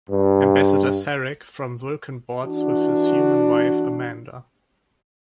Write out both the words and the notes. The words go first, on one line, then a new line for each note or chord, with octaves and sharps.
Ambassador Sarek from Vulcan boards with his human wife Amanda.
G2
E3 D4 F#4